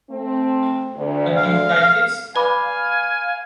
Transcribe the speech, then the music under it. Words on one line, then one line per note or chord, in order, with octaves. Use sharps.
A New Typeface?
A3 C4
D2
F5
B4 D5 F5 G#5 B5 D6